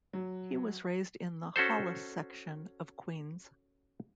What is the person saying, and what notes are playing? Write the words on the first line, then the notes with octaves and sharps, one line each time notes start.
He was raised in the Hollis section of Queens.
F#3
C#4 F#4 A4 C5